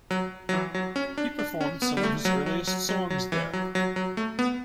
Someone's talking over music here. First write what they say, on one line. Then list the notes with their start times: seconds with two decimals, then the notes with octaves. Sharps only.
He performed some of his earliest songs there.
0.11 F#3
0.49 F#3
0.53 E3
0.74 F#3
0.96 C#4
1.18 D4
1.39 D4
1.61 C#4
1.82 B3
1.97 G3
2.03 A3
2.25 F#3
2.46 F#3
2.67 F#3
2.89 F#3
3.10 F#3
3.32 E3
3.53 F#3
3.75 F#3
3.96 F#3
4.17 A3
4.39 B3